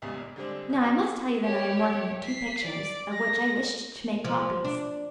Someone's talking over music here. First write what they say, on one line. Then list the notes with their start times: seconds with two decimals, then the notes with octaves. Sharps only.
Now I must tell you that I am working at two pictures of which I wished to make copies.
0.02 B1 E2 G2 C#3 G3 G#3
0.17 A#2
0.36 D3 G3 G#3 C4 D4
0.69 A2 C#3
0.84 F#2 F#4 A#5
1.42 G4 C#5
2.24 B6 C7
2.63 D5 D6
3.12 A#6
4.25 F3
4.65 D4